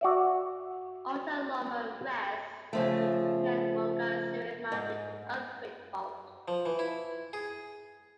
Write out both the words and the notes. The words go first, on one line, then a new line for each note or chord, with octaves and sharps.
Alta Loma rests on the Cucamonga-Sierra Madre earthquake fault.
F#4 D5 E5
C#3 F3 A3
G#2
F3
E3
E4
G#4